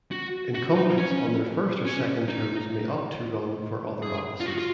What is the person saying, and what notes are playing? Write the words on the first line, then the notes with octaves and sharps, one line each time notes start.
Incumbents on their first or second terms may opt to run for other offices.
F#4
F#4
D#4
C#4
C#4
D#4
G#4
F4
F#4
F4